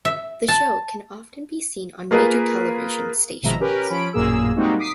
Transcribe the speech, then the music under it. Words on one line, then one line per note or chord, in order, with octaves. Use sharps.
The show can often be seen on major television stations.
E5
A5
A#3 F4 G#4 A#4 B4
G#1 B2 F3 G#3 E5 A#5
C#4 G4 A#4 B4
F3 C#4 B5 D7
A1 F#2 A#2 A#3 G#4 E6
G3 G#3 A#3 C4 D#4 F#4
D6 D#6 B6 C7